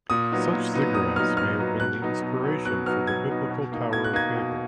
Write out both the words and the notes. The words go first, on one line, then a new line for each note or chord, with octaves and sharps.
Such ziggurats may have been the inspiration for the Biblical Tower of Babel.
A#2 D#6
F#3 B3 D#4
A#2
F#3 B3 D#4
A#2 D#6
F#3 B3 D#4 F6
A#2 F6
F#3 B3 D#4
B2 F#6
F#3 B3 D#4
B2
F#3 B3 D#4
B2 F#6
F#3 B3 D#4 F6
B2 G#6
F#3 B3 D#4
B2
A#3 D#4
B2 G#6
F#6
A#3 D#4 G#6
B2